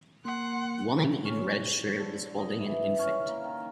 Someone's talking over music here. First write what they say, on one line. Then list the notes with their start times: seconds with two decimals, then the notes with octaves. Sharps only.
Woman in red shirt is holding an infant.
0.25 A#3 F#5 C6
1.25 C#4
1.99 D3
2.38 D#5
2.59 E3
2.99 C#4
3.28 A#3
3.44 D#3